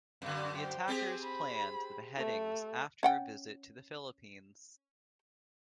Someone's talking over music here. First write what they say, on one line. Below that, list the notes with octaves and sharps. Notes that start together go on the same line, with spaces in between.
The attackers planned the beheadings after a visit to the Philippines.
F#2 D3
C5 G5
C4 G4 G#4
B5
A3
C#4 F#5 G5